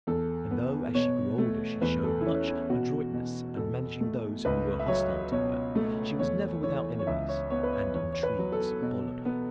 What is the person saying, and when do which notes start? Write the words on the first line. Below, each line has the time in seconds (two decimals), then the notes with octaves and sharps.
And though, as she grew older, she showed much adroitness in managing those who were hostile to her, she was never without enemies, and intrigues followed her.
0.07 E2 A4
0.51 B3
0.94 B2 C#5
1.38 A3
1.81 E2 B4
2.04 A4
2.21 E4
2.25 E3 C#4
2.48 E4
2.69 B2 F#4
3.13 B2
3.57 E2 A4
4.01 A3
4.45 C#2 B4
4.79 E5
4.88 F#3 C#5
5.31 B2 C#5
5.75 A3
6.19 E2 C#5
6.63 E3 C#5
6.99 C#5
7.07 C#2 E5
7.28 C#5
7.50 B3 C#5
7.63 B4
7.73 C#5
7.94 E2 C#5
8.13 C#5
8.23 B4
8.39 F#3
8.52 A4
8.81 B2
9.25 B3